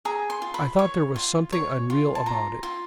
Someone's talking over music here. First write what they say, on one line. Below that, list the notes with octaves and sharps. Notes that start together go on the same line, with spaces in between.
I thought there was something unreal about it.
G#4 A#5
C6
F4
B5
C#5
F4
C#5
F4
A5
F4 A#5
F4